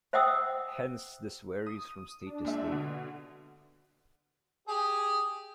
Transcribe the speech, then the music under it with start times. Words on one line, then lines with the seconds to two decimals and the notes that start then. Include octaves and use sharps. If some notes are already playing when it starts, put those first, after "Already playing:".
Hence this varies from state to state.
0.13 C5 E5 F#5 G5 D#6 E6
1.66 D#6
2.26 D4
2.45 A#2 G#3 E5
2.68 B2 D3
4.68 G4 G#4